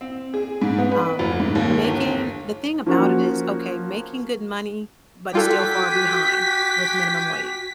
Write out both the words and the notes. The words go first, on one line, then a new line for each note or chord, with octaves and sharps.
Um, making the thing about it is, okay, making good money, but still far behind with minimum wage.
C4
G#4
G#2
B3
B4
F1
G#2
D#2
G1
F3 A#3 C#4 F#4
G3 F4 F#4 A4 G5 G#5 D6 B6